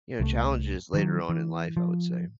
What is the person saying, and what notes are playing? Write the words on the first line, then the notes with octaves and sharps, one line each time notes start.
you know, challenges later on in life, I would say.
C2 G3 A3
D#3 F3 F#3
E3
F3